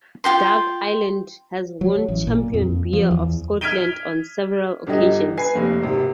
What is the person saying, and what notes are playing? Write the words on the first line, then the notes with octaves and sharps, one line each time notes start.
Dark Island has won Champion Beer of Scotland on several occasions.
F4 F#4 G5 C6
F#3
A1
A#2
F2
F3
E2
F6 G#6 B6 D7 D#7 G7
G1 D3 G4 D#5
B4 G#5 C7
F1 C3 A#3
G#1 C3 D#3